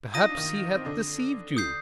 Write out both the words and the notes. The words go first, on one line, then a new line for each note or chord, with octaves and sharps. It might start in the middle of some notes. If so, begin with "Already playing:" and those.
Perhaps he hath deceived you.
F4 D#6 A#6 D#7
D#4
D4
D#3 D#4
C4
D3 D4
D#6 G6 C7